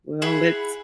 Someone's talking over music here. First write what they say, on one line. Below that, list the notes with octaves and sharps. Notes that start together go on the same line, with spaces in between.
Well, let's
E4 G#4 F#5 B5